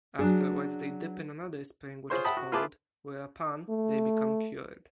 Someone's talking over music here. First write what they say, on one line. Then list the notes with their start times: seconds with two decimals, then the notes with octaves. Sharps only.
Afterwards they dip in another spring which is cold, whereupon...they become cured.
0.19 F#3 D4 G#4
2.10 F4 G#4 C5 C#5 C6
2.24 E5 F#5 G5 A5 B5 D#6
2.37 F#4
2.52 E4 F4 G#4 B4 A5 D6
3.70 A3